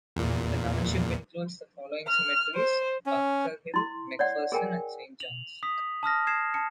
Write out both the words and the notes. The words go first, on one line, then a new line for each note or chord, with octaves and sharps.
The township includes the following cemeteries: Bunker Hill, McPherson and Saint Johns.
E2 A#2
F6
C5
C#4
E4 C6
C#5 D5 F#5
G#4 A#4 G5 G#5
F7 F#7
D#6 B6
A5 D#6 F6 A#6
D#6 G#6 C7 E7
A5 C#7